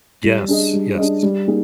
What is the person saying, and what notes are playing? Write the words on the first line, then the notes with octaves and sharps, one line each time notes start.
Yes, yes.
G3
D4 G#4 D#5
G3
D4 G#4 D#5
G3
A#3 D#4 G#4